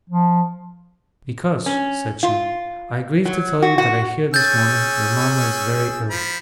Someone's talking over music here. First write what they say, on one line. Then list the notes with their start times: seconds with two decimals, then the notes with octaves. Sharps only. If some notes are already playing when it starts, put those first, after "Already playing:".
'Because,' said she, 'I grieve to tell you that I hear this morning your mama is very ill.'
0.10 F3
1.66 C#4
2.23 F4
3.25 F#3
3.62 F#4
3.78 F#4
4.34 C#4 G#4 E6 G6 A6
6.10 F3 B5